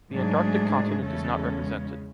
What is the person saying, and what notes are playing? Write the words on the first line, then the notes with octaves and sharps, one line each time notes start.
The Antarctic continent is not represented.
G#2 F#3 G#3 A3 D4 G#4
E2 C#3 G#3 A3 C#4 A4